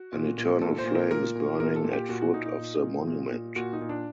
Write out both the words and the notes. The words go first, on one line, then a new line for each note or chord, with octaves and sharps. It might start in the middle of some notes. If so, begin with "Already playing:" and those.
An eternal flame is burning at foot of the monument.
Already playing: F#4
A#2
A#2
A#2 A4
C5
A#2
A#4
A#2 A#4
A#2
A#2 A#4
A4
A#2
G4
A#2 F#4
F#4
A#2 D#4
D#4
A#2
A#2
A#2
A#2
A#2 F#4
D#4
A#2
D4